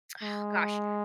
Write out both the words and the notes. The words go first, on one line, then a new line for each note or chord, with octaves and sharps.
ugh, gosh,
G#3